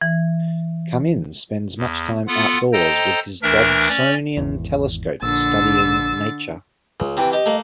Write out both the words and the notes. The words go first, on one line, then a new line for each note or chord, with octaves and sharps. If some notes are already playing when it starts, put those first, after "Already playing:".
Kamin spends much time outdoors and with his Dobsonian telescope studying nature.
E3
E2
B3 F4 A4 F#5
A4 C5 D#5 G5 A#5
D2 E3 D4 A#4 E5
C#4 D5
G#1 E2
A#1 D3 E6 A6
C#2
C3 E3 G5
G4 D#5
A3 A#3